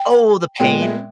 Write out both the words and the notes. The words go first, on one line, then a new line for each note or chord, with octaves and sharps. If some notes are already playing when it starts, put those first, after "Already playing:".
Oh, The Pain?
Already playing: G5
A#2 G#3 B3 G5
E5